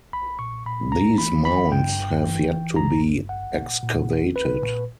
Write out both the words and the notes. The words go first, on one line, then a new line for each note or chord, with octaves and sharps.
These mounds have yet to be excavated.
B1 B5
A#2 C#6
A#2 B5
B1 A#5
E3 B5
G1 B5
G2 G5
G1
E3
G1
G2 A#5
G1
A#1 F#5
A#2
A#2
A#1
A#1 B4
A#2